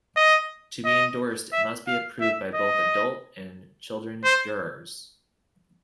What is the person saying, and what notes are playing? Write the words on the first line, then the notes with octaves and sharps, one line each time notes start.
To be endorsed, it must be approved by both adult and children jurors.
D#5
D#5
E5
F5
E5
D#5
C5